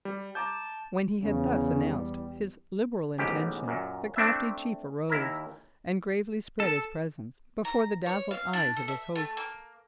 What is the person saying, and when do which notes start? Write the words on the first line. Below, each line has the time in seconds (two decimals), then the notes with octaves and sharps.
When he had thus announced his liberal intention, the crafty chief arose, and gravely spread his presents before the dazzled eyes of his hosts.
0.05 G3
0.35 A5 A#5 D6 G6
1.22 E2 C#3
1.87 G3
3.18 A1 G#2 B2 G4
3.68 F#2 A#2
4.16 A3 C4 D4 E4 E5
5.10 D#2 E4 A#4
6.60 A4
7.65 A#5
8.06 C#5
8.31 F5
8.53 D4
8.77 A4
8.88 E5
9.15 A3
9.37 A#3